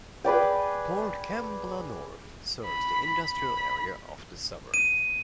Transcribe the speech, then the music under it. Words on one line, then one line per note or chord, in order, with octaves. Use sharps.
Port Kembla North serves the industrial area of the suburb.
G#4 B4 D5 G5
B5
B5
D#7